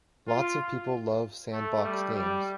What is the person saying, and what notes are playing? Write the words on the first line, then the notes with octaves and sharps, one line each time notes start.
Lots of people love sandbox games.
F4
A3
G3
G3